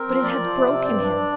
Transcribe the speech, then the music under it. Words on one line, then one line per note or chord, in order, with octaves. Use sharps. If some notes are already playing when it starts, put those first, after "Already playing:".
But it has broken him.
Already playing: C4 A#4
F3
F3 D5
F3
C3
C4
G2 D5
D4
D4